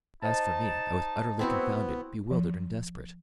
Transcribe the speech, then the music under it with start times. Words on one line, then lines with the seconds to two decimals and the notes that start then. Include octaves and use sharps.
As for me, I was utterly confounded, bewildered, and desperate.
0.23 D#4 C5 D#5 A5
1.39 B3 C4 E4 F#4
2.31 F3